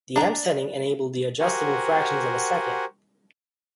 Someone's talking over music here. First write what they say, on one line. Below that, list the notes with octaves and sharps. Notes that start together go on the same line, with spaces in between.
The M-setting enabled the adjustable fractions of a second.
D4 A#5
F#4 G4 A#4 C5 F#5 G#5